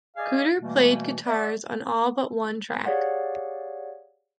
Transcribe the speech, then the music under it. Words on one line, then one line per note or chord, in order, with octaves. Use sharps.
Cooder played guitars on all but one track.
G#4 D5 D#5 F5 G#5
B2 E3 G3 A3 A#3
D5 E5 F#5
G4 G#4 C#5 D5 F5 F#5